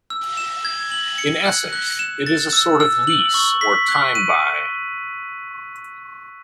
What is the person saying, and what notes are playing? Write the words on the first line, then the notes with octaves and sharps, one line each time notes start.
In essence, it is a sort of lease or time-buy.
E6
E7
G#6
F#7
C#7
F#6
F#6
E7
A6
E6
E6
F#7
C#6
B6
F#6
D#7